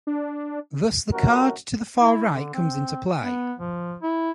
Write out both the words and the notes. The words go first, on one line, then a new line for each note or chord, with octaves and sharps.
Thus the card to the far right comes into play.
D4
A1 F#2 A3 F#4 A#4
E4
D3
C4
B3
F3
E4